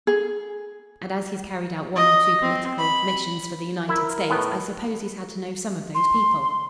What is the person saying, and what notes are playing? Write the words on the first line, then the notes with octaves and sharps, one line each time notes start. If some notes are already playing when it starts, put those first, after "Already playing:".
And as he's carried out one or two political missions for the United States, I suppose he's had to know some of these people.
G#4
D#5
C4
B5
E4 A#4
A2 B3
C6